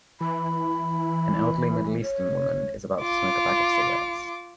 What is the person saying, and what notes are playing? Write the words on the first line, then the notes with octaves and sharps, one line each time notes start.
An elderly middleeastern woman is about to smoke a pack of cigarettes.
E3 B5
C#5
F4 D6